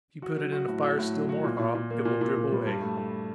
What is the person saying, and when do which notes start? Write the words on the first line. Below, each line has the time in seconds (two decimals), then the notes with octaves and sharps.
If you put it in a fire still more hot it will drip away.
0.22 F#4
0.37 F#3
0.52 F#4
0.68 A2
0.83 F#4
0.99 A2
1.13 F#3
1.29 F#4
1.44 A#2
1.59 A#2
1.75 A#2
1.91 A#3
2.05 A#2
2.21 A#2
2.36 A#2
2.52 G3
2.67 G2
2.82 A3
2.97 A3